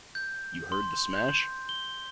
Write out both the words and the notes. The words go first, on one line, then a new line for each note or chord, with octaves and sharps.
You heard the smash?
G6
C6
G6
G7